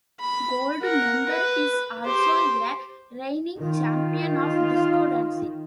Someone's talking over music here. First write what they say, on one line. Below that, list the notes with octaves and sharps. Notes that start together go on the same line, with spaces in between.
Goldmember is also a reigning champion of disco dancing.
B5
A#4 F#5
B4
G4 C5
D#3 F4